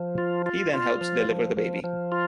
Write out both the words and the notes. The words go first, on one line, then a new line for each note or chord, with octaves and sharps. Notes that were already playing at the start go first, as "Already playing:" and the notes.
He then helps deliver the baby.
Already playing: F3
F4
F4
F4
F3
F3
F3
F3
F4